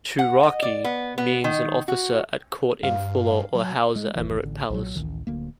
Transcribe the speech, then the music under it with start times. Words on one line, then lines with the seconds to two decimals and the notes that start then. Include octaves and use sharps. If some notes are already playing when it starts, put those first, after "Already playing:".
Turaki, means an officer at court in Fula or Hausa emirate palace.
0.19 F#5
0.43 D#5
0.62 D5
0.84 B3
1.18 B3
1.44 D#3
1.88 F#4
2.83 G2 F5
3.55 F#3
3.96 G#3
4.16 F#1 D#2 E3
4.42 A1 D3
4.70 B1 A#2 F#3
4.95 A1 D2 A2 D#3
5.27 D1 D2 A#3